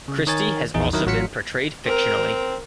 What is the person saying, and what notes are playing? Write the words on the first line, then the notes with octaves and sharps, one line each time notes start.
Christie has also been portrayed fictionally.
C#3
D#3 A#4 C#5 G#5 A6
A#1 E2 D#4 G#4
D#3 F#3 E4 A#4
A1 F#3 F4 F5 B6 C#7
C4 A#4